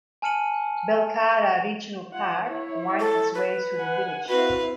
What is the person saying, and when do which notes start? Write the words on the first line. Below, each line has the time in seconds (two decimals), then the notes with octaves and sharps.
Belcarra Regional Park winds its way through the village.
0.22 G#5 A5 F6 C#7 D#7 F#7
2.12 F4 F#5
2.45 E4 C#5
3.00 A4
3.35 B4
3.77 F#5 G#5
4.29 C4 E4 F#4 B4 F5